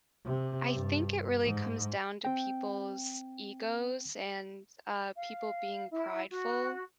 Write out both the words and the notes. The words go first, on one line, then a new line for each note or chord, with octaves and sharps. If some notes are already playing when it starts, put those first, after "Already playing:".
I think it really comes down to people's egos and, uh, people being prideful
C3
G2
G#2
C4 G5
F5
E4
F#4